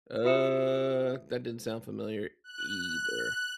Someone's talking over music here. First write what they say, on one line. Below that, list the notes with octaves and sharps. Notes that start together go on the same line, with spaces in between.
Uh, that doesn't sound familiar, either.
F4 F#4 E5 D#6 C#7 E7
F#6